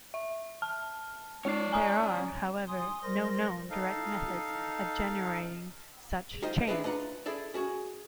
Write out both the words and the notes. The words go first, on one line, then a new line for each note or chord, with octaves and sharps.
There are, however, no known direct methods of generating such chains.
E5
A5 F6
G#3 C#4 D#4 C#5 D5 C7
G#5 A#5 D#6
G#5 C6 D#6
G3 A#4 C5 C6 A#6
D#4 A4 F5
D#4 F4 G4 C5 D#5 G5
D4 E4 F4 G#4 B4 D#5
D4 F4 B4 F#5 A#5
E4 G#4 A4 D5 E5
C#4 F#4 G#4